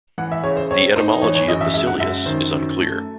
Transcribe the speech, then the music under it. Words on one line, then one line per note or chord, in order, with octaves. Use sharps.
The etymology of "basileus" is unclear.
E3 F#5
E5
C#3 C#5
C5
C4 C#5
D#4 C5
E3 C#5
C#5
F#2 D#5
E5
G#3 E5
F#5
F#2 E5
D#3 C5
F#2
A3